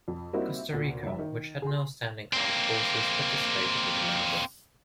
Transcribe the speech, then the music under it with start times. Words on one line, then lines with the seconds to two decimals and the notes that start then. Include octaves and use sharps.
Costa Rica, which had no standing armed forces, participated as a member.
0.08 F2
0.33 G3 A#3 C4 D#4 E4 F#4
0.73 D2 A#2
1.03 F#1 G2 E5
1.19 D#3
1.62 G#4 C6
2.33 A#3 C4